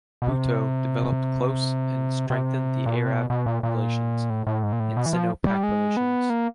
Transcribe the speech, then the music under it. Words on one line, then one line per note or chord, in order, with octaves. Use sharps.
Bhutto developed close and strengthened the Arab relations, and Sino-Pak relations.
B2
C3
C3
A#2
B2
C3
B2
B2
A#2
A#2
A2
A2
G#2
A#2
A2
B2
E3
F3
G3
G#3
B3
A#3